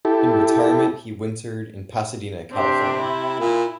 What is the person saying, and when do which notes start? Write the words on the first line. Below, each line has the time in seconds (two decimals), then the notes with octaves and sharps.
In retirement he wintered in Pasadena, California.
0.05 E4 G4 A4
2.52 C3 C4 D4 G4
3.01 E4
3.40 A#2